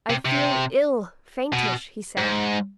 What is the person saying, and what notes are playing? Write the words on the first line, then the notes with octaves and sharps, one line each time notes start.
"I feel ill--faintish," he said.
C3
C3
B2
G#2